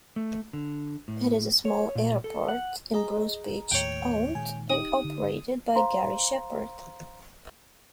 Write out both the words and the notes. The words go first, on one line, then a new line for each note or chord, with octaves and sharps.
It is a small airport in Bruce Beach owned and operated by Garry Shepherd.
A3
D3
A2
C#5
A#2
A4
F#5
G#4 D#5 A#5
D#2 A2 C#5 G5
A#2 D#3 G#3 G#5
D#4 G4 D#6
D3
C5 F5 A#5 C6